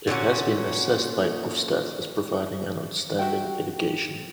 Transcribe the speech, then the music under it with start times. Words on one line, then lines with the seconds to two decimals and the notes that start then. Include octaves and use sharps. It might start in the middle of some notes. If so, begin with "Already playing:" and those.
It has been assessed by Ofsted as providing an outstanding education.
0.07 A#2 D3 C#4 F#4
3.19 F#4 E5 G5